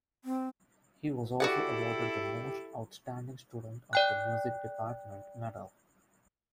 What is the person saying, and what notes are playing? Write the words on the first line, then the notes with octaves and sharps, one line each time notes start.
He was also awarded "The Most Outstanding Student of the Music Department" medal.
C4
E4 F#4 G4 A4 D5 F#5
D5 G5 F#6